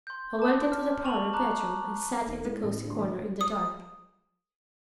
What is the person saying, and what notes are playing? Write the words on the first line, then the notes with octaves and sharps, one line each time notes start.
I went into the parlor bedroom and sat in the cozy corner in the dark.
C6 G6
A5 D6
F6
G#5 A5 C#6 F6 F7 F#7
A5 A#5 D6 F#6
D#1 D#2
A2 G#3
A1 A2
D2
E3
D#6